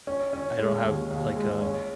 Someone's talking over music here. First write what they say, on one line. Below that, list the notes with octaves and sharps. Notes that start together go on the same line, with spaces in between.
I don't have like, uh
C#4
C#4
G#3
D#2
D#2
G#3
C#4